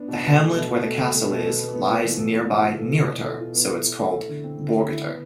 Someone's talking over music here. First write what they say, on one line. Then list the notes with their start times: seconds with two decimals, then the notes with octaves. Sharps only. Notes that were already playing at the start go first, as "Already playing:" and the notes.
The hamlet where the castle is, lies nearby Neeritter, so it's called "Borgitter".
Already playing: B3 D4
0.08 B2
0.24 B2
0.38 A3
0.53 B2
0.68 B2
0.84 A3
0.99 C4
1.14 A3
1.29 B2
1.44 A4
1.59 B3
1.73 B3
1.89 F4
2.04 E3
2.19 A4
2.34 F4
2.48 E3
2.64 F4
2.78 A4
2.94 B2
3.09 B2
3.23 A4
3.39 F4
3.54 B3
3.69 A4
3.84 E4
3.99 A3
4.14 A3
4.29 D3
4.44 C4
4.59 D3
4.75 A3
4.90 E4
5.04 B3